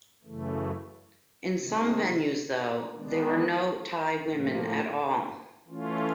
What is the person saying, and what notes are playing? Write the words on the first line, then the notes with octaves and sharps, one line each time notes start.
In some venues though, there were no Thai women at all.
F#2 C#3 E3 A3
C3 D#3 G#3
D#3 G#3 B3 D4
A2 F3 A#3
E3 A3 C#4 F4